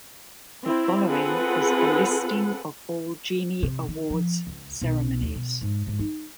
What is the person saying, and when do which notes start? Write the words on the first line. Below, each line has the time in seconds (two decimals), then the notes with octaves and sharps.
The following is a listing of all Genie Awards ceremonies.
0.64 C4 E4
1.09 C4 F4 G#4 A4 B4 F#5
3.63 C3
3.88 D#3
4.10 F3
4.47 C#2
4.81 B1
5.22 D#2
5.36 B2
5.61 G#2
5.87 G#2
5.99 D#4